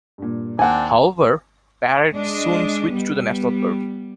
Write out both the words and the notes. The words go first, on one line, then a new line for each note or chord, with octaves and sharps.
However, Perrett soon switched to the National Party.
G2 A#2
D#2 C4 D4 F#5 G#5
G#3 D4 D#5
G3 B3